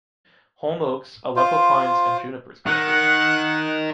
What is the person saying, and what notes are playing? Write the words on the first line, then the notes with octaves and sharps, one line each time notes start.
Holm oaks, Aleppo pines and junipers grow here.
F4 C5
D#3 F#5 F#6